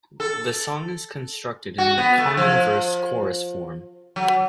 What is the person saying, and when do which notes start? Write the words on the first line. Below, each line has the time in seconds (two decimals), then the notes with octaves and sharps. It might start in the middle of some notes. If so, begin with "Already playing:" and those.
The song is constructed in the common verse-chorus form.
0.20 A4
1.78 F#4
1.98 B3
2.18 A3
2.37 F3
4.16 F#3